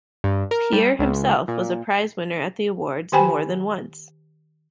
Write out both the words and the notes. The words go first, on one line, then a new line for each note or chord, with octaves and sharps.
Pierre himself was a prize winner at the awards more than once.
G2
A#4
G3
C#2
A#2
D#3 G4 C5 G5 G#5 B5